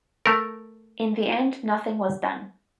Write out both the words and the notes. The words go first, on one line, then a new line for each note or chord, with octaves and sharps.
In the end nothing was done.
A3 A#4